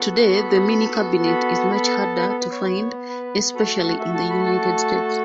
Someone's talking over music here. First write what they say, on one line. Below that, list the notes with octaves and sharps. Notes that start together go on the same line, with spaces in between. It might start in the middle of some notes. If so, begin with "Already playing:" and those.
Today the mini-cabinet is much harder to find, especially in the United States.
Already playing: B3 F#4 A4
F#5
B5
B5
B3 A4 B5
A5
A5
B4
A4
B4
C#5
B4
A3 F#4 A4 B4
A5
F#5
F#5
E5
A5
B5
A5